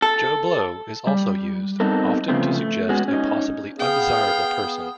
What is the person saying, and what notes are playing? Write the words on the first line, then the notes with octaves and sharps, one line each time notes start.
Joe Blow is also used, often to suggest a possibly undesirable person.
A4
G3
G3 B3 C4 D#4 A4 A#4
C#3 F3 A3 B3 C4
A3
G#3 B3 C#4 F#4 G#4
C#4 D#4
B3 G#4 F5 G5